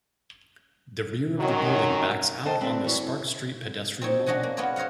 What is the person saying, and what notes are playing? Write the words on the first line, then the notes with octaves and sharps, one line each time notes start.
The rear of the building backs out on the Sparks Street pedestrian mall.
F#2 D#3 F#3
A4 C5 D#5 G5 A5
G3 C4 D4 B4
E3 F#4 B4 C#5
F#2
C4 D#4 C#5
C#4 D4 F#4 D#5 F#5 G#5
A#3
B3 F4 F#4 G#4 D5
C5 C#5 D#5 F5 F#5